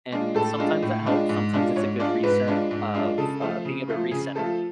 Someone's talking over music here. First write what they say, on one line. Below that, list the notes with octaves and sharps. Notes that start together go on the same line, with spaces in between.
And, sometimes that helps, sometimes it's a good reset of, uh, being able to recenter.
G#3 D4 F4
A2 A4
G#3 D4 F4
A2
G#3 D4 F4
G#2
G#3 D4 F4
G#2 C#5
G#3 D4 F4 D5
G#2 B4
G#3 D4 F4
G#2
G#3 D4 F4
C#3 A4
F3 A3 F4
C#3
F3 A3 F4
C#3 G#4
F3 A3 F4 A4